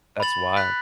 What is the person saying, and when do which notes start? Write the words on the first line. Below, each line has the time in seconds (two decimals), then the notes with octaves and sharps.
That's wild.
0.20 B5 A6 F#7
0.56 B5 F#6 B6